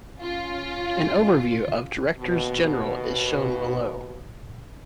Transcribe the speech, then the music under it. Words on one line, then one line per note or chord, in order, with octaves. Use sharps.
An overview of Directors-General is shown below.
C#4 F4
D#2 B2